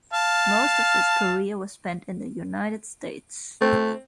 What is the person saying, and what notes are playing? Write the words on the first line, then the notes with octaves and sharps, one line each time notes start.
Most of his career was spent in the United States.
F5 A5
A3 C4